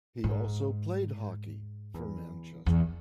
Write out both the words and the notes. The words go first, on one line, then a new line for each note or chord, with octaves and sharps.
He also played hockey for Manchester.
G#2
E2
E2